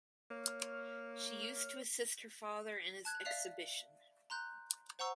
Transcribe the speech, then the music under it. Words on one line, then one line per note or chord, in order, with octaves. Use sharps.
She used to assist her father in his exhibition.
A#3 C#5 F6
A5 F#6 G#6
D5 E5 F5 C7 F7
A#5 C6 F#6 G6
C5 F#5 A#5 C#6 E6